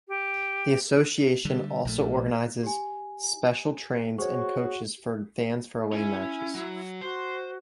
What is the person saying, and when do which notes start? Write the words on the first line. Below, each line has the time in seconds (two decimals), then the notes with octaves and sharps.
The association also organizes special trains and coaches for fans for away matches.
0.08 G4
1.45 D3 G3
1.85 A#1 A#2 A3
2.63 G4 G#5
4.18 F#4 G#4 C5 C#5 C#6
5.92 C#4 E4 G#5
6.55 F#3
7.01 F#4 C5